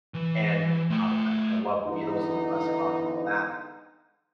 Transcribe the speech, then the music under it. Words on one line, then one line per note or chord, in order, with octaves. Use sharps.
and I I I love the Beatles and the classic rock and all that.
E3
A3 G5
D3 E3 B3 D#4